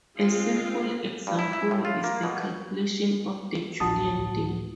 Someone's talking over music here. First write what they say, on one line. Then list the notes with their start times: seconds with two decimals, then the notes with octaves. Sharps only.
A simple example is the calculation of the Julian day.
0.16 G#3 C4 F4 F5
1.27 G2
1.39 E4
1.53 E4
1.71 A2
1.85 F4
2.04 A#3
2.23 B2
3.80 D1 A1 D4 F#4 A5 D#6
4.15 C#2 A2